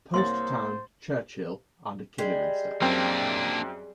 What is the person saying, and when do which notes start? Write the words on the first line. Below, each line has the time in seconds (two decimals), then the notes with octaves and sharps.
Post Town, Churchill, under Kidderminster.
0.14 C2 A#3 C5 C#5 C6 A6
2.18 G3 G#3
2.82 F#2 A#3 C4 D4 G5